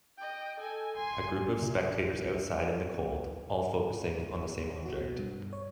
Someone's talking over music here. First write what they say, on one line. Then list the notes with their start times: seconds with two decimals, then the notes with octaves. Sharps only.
A group of spectators outside in the cold, all focusing on the same object.
0.18 D#5 G5
0.59 A4 G#5
0.96 G#5 C6
1.62 C3
4.86 F#4
5.01 B2
5.19 G2
5.53 C#5